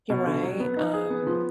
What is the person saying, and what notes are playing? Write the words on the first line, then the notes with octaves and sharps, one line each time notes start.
You're right, um,
B2
D3
F#3
B3
D#4
G#4
B3
F3